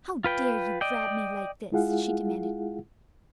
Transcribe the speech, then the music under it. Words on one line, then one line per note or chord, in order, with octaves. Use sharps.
"How dare you grab me like this?" she demanded.
F4 B4 G5
D5 D#5 G5
G#3 E4 F4 G#4 F5 F#5